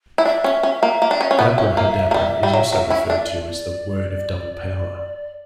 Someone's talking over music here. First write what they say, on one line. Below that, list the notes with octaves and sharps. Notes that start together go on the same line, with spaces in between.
"Abrahadabra" is also referred to as the "Word of Double Power".
E4
D4 E5
C#4
C#4
A#3
A#3
D4
C#4
C#4
B3
C#4
A#3
A#3
G3
G3
F#3
F#3
C#4 E4
D4
D5